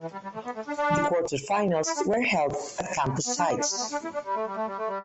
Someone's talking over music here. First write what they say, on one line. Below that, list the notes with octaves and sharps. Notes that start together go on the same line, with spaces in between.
The quarterfinals were held at campus sites.
E3
G3
G3
A3
B3
A3
D4
D4
E4
D4
G3
B3
D4
B3
D4
G3
B3
A3
D4
E4
D4
G3
A3
G3
A3
G3
A3
G3